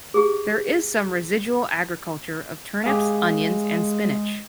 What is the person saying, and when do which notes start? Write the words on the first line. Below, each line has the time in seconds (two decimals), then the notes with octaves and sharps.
There is some residual agriculture of turnips, onions and spinach.
0.14 G4 G#4
2.84 G#3 G4 G#4 F5